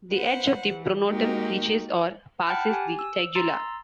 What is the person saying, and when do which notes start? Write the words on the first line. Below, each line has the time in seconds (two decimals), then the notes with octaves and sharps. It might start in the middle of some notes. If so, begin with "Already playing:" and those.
The edge of the pronotum reaches or passes the tegula.
0.12 B4 C5 F#5
0.67 E3
1.08 G#3 A#3 D#4 F#4 G4 A#4
2.47 F#5 G5 A5 B5 F6 F#6
2.71 G4 G#5
2.99 E6
3.35 A#5 C6 E6 A6